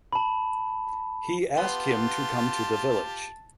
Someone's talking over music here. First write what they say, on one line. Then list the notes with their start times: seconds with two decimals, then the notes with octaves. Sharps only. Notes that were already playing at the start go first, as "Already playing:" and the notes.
He ask him to come to the village.
0.13 A5 B5
1.58 B3 F4 G4 A5 C6